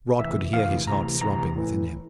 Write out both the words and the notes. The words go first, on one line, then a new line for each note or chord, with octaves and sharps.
Rod could hear his heart throbbing within him.
D2 C3 E3 E5
D2 C3 E3 F5
D2 C3 E3 A#5
D2 C3 E3 A#5
A2 E3